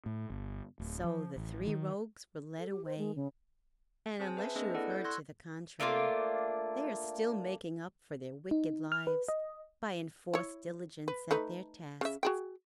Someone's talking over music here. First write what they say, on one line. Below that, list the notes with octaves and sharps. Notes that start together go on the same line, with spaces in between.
So the three rogues were led away, and unless you have heard to the contrary, they are still making up for their wicked lives by enforced diligence at their tasks.
A2
G1
D1
F3
A1
D#3
A4
G4
C5
G#3
C#3
C4 G#4 C5 G#5 A5
B4 E5 A5
A#3 C4 D4 G#4 B4 D#5
E4 A4 D5 F#5
G6 A6
C6 C#6 E6 F#6 G#6 A#6
A3 A#3 D4 F4
D#4
F6
B4
D#5
E4 C#5
B4
A3 D#4 B4
C#3 E5
F#4 G#4 G5